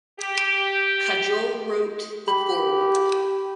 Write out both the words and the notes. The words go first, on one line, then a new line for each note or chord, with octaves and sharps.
Kajol wrote the foreword.
G4
G4 B5